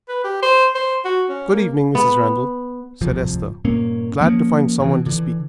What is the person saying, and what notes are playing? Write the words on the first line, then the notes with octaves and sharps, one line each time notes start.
"Good evening, Mrs. Randal," said Esther, glad to find someone to speak to.
B4
G4
C5
C5
F#4
C#4
A#3
B3
D1 G1 C2 F3
G2 A#2 A#3 C#4
F3 A#3 C4 C#4
B2 E3
D3 E3